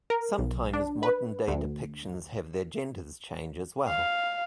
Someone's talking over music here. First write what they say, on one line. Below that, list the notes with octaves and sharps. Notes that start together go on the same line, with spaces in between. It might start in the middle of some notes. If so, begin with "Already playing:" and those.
Sometimes modern day depictions have their genders change as well.
A#4
B1
D4
B4
D2
F5